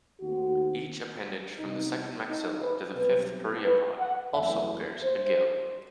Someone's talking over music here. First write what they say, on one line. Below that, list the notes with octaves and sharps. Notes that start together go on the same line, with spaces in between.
Each appendage from the second maxilla to the fifth pereiopod also bears a gill.
D#2 D#3 A3 C4 F#4
C2 C3 E3 B3 D#4
D#4
B4
B1 B2 G3 C4 B4
B4
F#5
F#1 E2 B2 A3 E5
C5